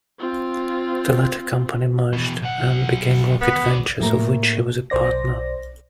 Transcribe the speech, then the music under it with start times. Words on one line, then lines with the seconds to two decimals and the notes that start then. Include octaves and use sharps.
The latter company merged and became Rocket Ventures, of which he was a partner.
0.19 C4 F4
2.13 B2 E3
2.43 B1 F#5
3.41 B3
3.66 F#4 D5
4.00 A2 A#3 A#4
4.90 B1 C5 D5 A#6